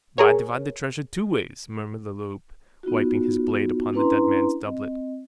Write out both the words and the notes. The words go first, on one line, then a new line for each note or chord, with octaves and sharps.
"Why divide the treasure two ways?" murmured Le Loup, wiping his blade upon the dead man's doublet.
G#4 A#4 C#5
B3 D#4 F4 F#4
C#4 D4 E4 B4 A#5 C6
C4 D#5